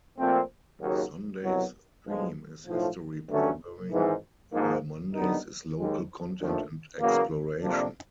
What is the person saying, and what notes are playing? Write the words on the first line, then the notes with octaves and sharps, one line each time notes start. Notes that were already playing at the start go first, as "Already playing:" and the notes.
Sunday's theme is history programming while Mondays is local content and exploration.
A#2 F3 A3 C4
D#2 C#3 F#3
C2 B2 F#3
B1 A#2 F3 G#3
B1 A2 F3
G2 D3 F#3 A3 C#4
G#1 G#2 E3
G#2 F3 A#3
D#2 D3 G3 B3 D#4
D#2 D#3 G#3
D#2 D3 F3 A3
E2 C#3 F#3 A#3
F2 C3 F3 A#3 D4